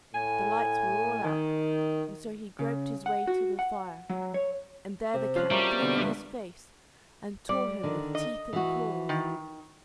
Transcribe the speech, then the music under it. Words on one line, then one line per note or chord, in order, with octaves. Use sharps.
The lights were all out, and so he groped his way to the fire, and there the cat flew in his face, and tore him with teeth and claws.
A2 G#5
D#3
C#3
F#5
F#4
F#5
F#3
C#5
C3
F3 C#4 F4 F5 F#6
F#3 G3 A3 A#3
B2 D3 C#6
G2 E5 F#5
G3 D5
D3 D#3 D4
D#5
E3 F#4
D#3